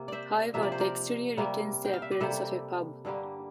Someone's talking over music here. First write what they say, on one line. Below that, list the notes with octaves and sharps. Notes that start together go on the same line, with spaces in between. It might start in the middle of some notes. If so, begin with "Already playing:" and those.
However the exterior retains the appearance of a pub.
Already playing: C3 A#3
C5 D5 E5
C3 F3 A#3 E5
D5
C5
A#4 D5
C3 G3 A#3
G5
F5
E5
D5
C3 G3 A#3 A4 C5
G2 D3 G3 A#3